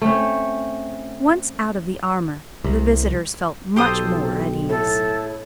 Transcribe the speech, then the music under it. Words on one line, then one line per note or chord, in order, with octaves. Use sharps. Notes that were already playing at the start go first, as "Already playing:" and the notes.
Once out of the armor the visitors felt much more at ease.
A3 C4 C#4
C2
B1 G4 A4 C5 D#6
A2 A4